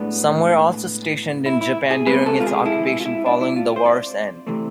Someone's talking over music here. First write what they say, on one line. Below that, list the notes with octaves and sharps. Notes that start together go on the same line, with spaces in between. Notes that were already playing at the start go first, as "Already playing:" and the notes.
Some were also stationed in Japan during its occupation following the war's end.
Already playing: A2 G#3 B3 D4
E4
E4
G#4
C3 G#3 B3 B4
A4
F4
G#4
E4
E4
F4
E4
D4
E4
F4
C5
D5
C3 E3 A3 C4